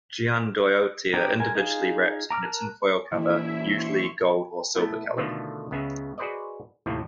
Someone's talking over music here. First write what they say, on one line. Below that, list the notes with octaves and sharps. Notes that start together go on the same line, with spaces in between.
Gianduiotti are individually wrapped in a tinfoil cover, usually gold or silver-colored.
F#3 B3 D4 G4 A#4
G#3 A#4 G#5
D#4 F4 G#4
A#5 D6 E6 F6
A#4 A5 A#5 F#6
A#2 E3 E4 E5
C6 C#6
A3 B3 E4
B2 D3 D#3 F3 A3 B3
C#2 C#3 B3 G#4 E5
F#4 G#4 B4 C5 D5 D#5
D#2 A2 C3 F3